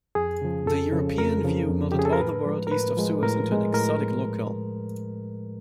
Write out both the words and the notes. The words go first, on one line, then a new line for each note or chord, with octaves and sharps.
The European view melded all the world east of Suez into an exotic locale.
F2 G#4
C#3 F3
F2 A4
C#3 F3
F2 A#4
C#3 F3
F2
G4
C#3 F3 G#4
A4
A#4
A2 B4
F3 G#3
A#4
A2 B4
F3 G#3
A2 A#4
F3 G#3
A2 A#4